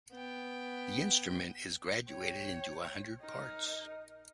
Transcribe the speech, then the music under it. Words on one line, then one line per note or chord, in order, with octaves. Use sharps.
The instrument is graduated into a hundred parts.
B3 G5
C#5 G5
D#4 A#4